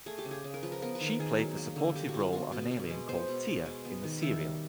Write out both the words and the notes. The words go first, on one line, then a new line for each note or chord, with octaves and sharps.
She played the supportive role of an alien called "Tia" in the serial.
A3 G#4
G4
C#3
G#4
C#3
A#4
F3 B4
A#4
B3 A#4
B4
D#3
A#4
D#3 G#4
F#3
A#3
D3
D3 G4
F#4
G3
F4
B3 F#4
B2
B2
G#3
B3 C5
B2
B2
G#3
B3
D#3
D#3 E5
G3